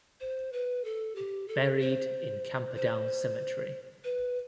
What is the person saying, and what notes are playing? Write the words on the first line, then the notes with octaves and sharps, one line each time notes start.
Buried in Camperdown Cemetery.
C5
B4
A4
G4
A4
C5
C5
B4